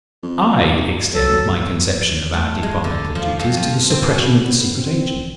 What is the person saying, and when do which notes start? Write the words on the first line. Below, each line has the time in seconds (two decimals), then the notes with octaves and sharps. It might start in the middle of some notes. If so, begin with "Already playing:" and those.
I extend my conception of our departmental duties to the suppression of the secret agent.
0.23 F2
0.64 F2
1.13 F#3 A4
2.34 A3
2.63 G#3
2.84 D3
3.15 F3
3.39 F2
3.57 F3
3.90 C4
4.02 B2
4.39 A2 B3
4.76 C4